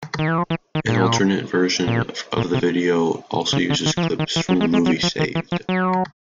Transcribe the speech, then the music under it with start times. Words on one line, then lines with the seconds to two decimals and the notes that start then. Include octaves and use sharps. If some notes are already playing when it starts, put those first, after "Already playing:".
An alternate version of the video also uses clips from the movie "Saved!".
0.19 D#3
0.28 E3
0.38 F3
0.50 E3
0.75 D#3
0.88 A#2
1.87 A#2
2.38 A#2
2.54 C3
3.53 C#3
3.70 D3
3.86 D#3
3.97 F3
4.03 E3
4.19 D#3
4.36 E3
4.49 F#3
4.61 G#3
4.73 G#3
4.86 F#3
5.03 F3
5.19 D#3
5.35 E3
5.52 F3
5.69 F#3